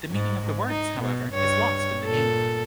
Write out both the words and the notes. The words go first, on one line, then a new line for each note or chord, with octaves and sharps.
The meaning of the words, however, is lost in the game.
G#2
D#4
B2
G2 C#5
A#2 A4